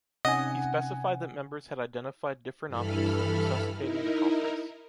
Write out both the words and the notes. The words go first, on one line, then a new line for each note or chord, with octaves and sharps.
He specified that members had identified different options for resuscitating the Conference.
C3 C#4 D#4 D#5 F#5 G#5
G2 E3 A4 B5 F6
D#4 E4 A#4